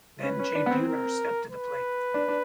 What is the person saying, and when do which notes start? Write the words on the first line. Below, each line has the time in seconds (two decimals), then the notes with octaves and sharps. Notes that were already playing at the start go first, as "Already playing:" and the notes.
Then Jay Buhner stepped to the plate.
0.23 C#4 B4
0.39 C#4
0.55 D4
0.66 B3
0.71 C4
0.87 A#4
1.51 B4
2.14 D4
2.28 D4